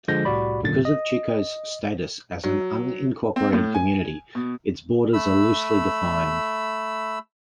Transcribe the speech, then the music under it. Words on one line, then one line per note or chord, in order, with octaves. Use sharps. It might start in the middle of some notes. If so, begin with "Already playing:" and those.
Because of Chico's status as an unincorporated community, its borders are loosely defined.
D3 F3 G#3 G6 A#6
C2 A2 F#4 G4 D5 B5
G#1 F#2 A#2 D3 A6
D#5
F#3
C4
A2
G#5
B2
A3 B5 E6